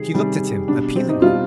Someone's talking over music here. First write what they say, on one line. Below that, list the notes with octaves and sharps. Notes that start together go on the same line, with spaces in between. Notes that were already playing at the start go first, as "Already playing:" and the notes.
She looked at him appealingly.
Already playing: C3 D#3 G3 G#4
C3 D#3 G3
B2 G3 D4
C4
D#4
B2 G3 F4